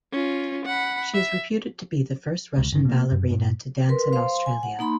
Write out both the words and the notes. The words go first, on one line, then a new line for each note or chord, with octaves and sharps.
She is reputed to be the first Russian ballerina to dance in Australia.
C#4 F4
F#5 B5
E5
C#2
G1 D#3
B2 A#3
F#2
G2 A#2
A#4 B4 C6
C5 F5 C6
G#5
F#5
A#3 D#4 B5 C6